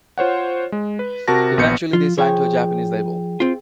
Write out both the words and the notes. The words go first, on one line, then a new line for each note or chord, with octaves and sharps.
Eventually, they signed to a Japanese label.
F4 C5 C#5 F#5
G#3
B4
C3 F#4 A#4 A5 A#6
A#1 B3 G6 C#7
F3 F4
F3 G#4 C#5 G5
C4 F4